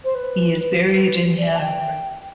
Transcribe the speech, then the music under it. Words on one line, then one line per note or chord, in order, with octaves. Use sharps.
He is buried in Hanover.
C5
B4
B4
B4
C5
D5
E5
A5
G5